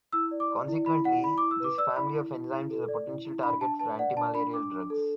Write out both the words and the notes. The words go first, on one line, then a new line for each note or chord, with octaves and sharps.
Consequently, this family of enzymes is a potential target for antimalarial drugs.
E4 E6
D5
D6
D5
E4
E4 B5
D5 F#5
E4 B5
D6
E4
E6
B4 D6
D5 E6
E4 B5
E4
E4
E4
A4
D5
E4
E4
D4 B5
D4 A5
B4 A5
D5 F#5
D4 A5
D4 B5
D4 D6
D4
A4